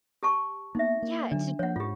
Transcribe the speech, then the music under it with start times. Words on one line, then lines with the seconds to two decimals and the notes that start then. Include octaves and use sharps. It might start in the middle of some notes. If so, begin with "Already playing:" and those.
Yeah, j
0.23 G4 A5 C#6
0.75 A#3 B3 D#4 E5
1.02 A#3
1.31 D3 F#3 D4
1.59 F3 A#3 C#5 F#5
1.76 G#2 F4 G4